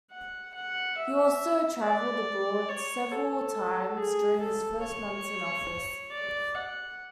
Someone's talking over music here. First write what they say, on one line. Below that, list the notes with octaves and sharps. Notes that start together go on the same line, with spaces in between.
He also traveled abroad several times during his first months in office.
F#5
F#5
E5
D5
C#5
A4
G#4
A4
C#5
D5
F#5